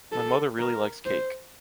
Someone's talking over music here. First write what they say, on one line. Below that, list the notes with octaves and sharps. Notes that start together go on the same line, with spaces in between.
My mother really likes cake.
A4
A#4
C5